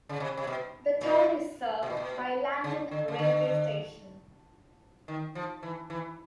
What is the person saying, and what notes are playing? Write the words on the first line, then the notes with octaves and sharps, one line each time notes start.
The town is served by Landen railway station.
C#3
C3
C3
B2
A#2
B2
A#2
B2
C#3
D3
C#3
D3
D#3
F3
E3
E3